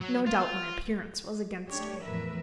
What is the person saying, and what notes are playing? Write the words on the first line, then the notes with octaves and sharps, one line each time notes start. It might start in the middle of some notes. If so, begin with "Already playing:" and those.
No doubt my appearance was against me.
F#3
F4
A3 D4 G4 C#5
E2 A2 F3 A#4 B4 E5